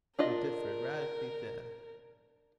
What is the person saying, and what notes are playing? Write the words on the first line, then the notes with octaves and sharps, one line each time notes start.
We differed radically then.
D4 F4 A#4 D#5